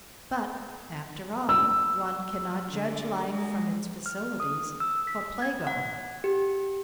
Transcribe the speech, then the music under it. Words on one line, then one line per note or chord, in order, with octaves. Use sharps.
But, after all, one cannot judge life from its facilities for playgoing.
E6
D3
G#3
F6
D#6
E6
B6
G#6
F#5
G4